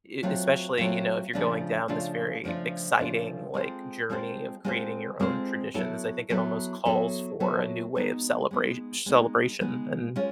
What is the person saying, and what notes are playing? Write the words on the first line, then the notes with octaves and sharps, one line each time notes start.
e especially, you know, if you're going down this very exciting, like, journey of creating your own traditions, I think it almost calls for a new way of celebrat celebration and
F#3 A3 C4 F4
F#3 A3 C4 F4
C#3 F3 A3 D4 F4
C#3 F3 A3 D4 F4
C#3 F3 A3 D4 F4
C#3 F3 A3 D4 F4
G#3 C4 F4 A4 C5
G#3 C4 F4 A4 C5
G#3 C4 F4 A4 C5
G#3 C4 F4 A4 C5
F#3 B3 E4 A4
F#3 B3 E4 A4
F#3 B3 E4 A4
F#3 B3 E4 A4
G#3 B3 D#4
G#3 B3 D#4
G#3 B3 D#4
G#3 B3 D#4
G#3 C#4 F4